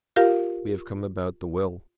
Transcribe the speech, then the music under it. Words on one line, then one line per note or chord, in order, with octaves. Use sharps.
"We have come about the will."
F4 G4 A#4 F5